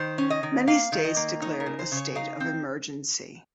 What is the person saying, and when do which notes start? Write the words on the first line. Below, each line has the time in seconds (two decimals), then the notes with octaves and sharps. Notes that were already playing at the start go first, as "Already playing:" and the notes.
Many states declared a state of emergency.
Already playing: D#3 C5
0.18 C#4
0.30 D#5
0.43 D#3
0.67 A#3 F5
0.92 D#3
1.04 D#5
1.16 A#3
1.42 D#4 C#5
1.60 A#4
1.66 C#3
1.79 C5
1.92 C#3
1.97 C#5
2.16 D#4 F5
2.40 C4